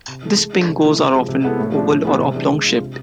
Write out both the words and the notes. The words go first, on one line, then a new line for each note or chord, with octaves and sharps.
These pingos are often oval or oblong shaped.
C3
E3 A3
G#3
D4 A4
C3
E3 A3 E4
C3
F3 G#3
C3
G#3 B3 E4 A4
A2
F3 G#3 D4
A2
E3 G#3 B3
C3
E3 G#3 D4
G#3
D4 F4
C3